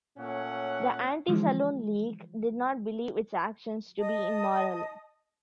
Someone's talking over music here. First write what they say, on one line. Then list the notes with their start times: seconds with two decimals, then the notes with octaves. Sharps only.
The Anti-Saloon League did not believe its actions to be immoral.
0.17 A#2 A3 C#4 C#5 F#5
1.28 D3 E3 F3 G#3
3.99 D#5 A5 D#6